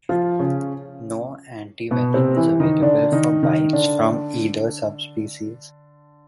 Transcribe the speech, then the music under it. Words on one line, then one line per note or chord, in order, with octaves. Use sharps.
No antivenin is available for bites from either subspecies.
F3 F4
C#3 C#4
B2 B3
C3 C4
E3 E4
D#3 D#4
D3 D4
D#3 D#4
D#3 D#4
D3 D4